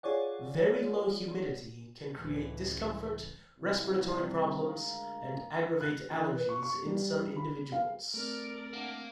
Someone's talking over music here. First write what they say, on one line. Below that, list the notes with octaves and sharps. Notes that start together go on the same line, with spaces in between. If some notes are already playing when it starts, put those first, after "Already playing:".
Very low humidity can create discomfort, respiratory problems, and aggravate allergies in some individuals.
F4 G#4 C#5 D5 F#5
C#2 A2 E3
C2
D2 G#3 F4 A#4 F5 A#5
F#6
E3
B4
C#6
C#6
G3
B5
F5
A3 C4 A4 A#4 D5 F6
A#3 D4 E5 F#5